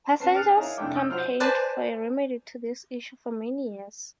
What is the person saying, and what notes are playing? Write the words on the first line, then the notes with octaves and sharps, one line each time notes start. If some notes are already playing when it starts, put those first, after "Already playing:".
Passengers campaigned for a remedy to this issue for many years.
C#4 B4 A5 C7
F6 F#6 A6 C#7 D#7 F7
E4 G#4 A#4 C#5 D#5 F5
F1 A3 D4 E4 G5 D6
D#6 E6 G6 D7
F#3 F4 C5 F#5 F7
B4 C5 D5 G#5 A5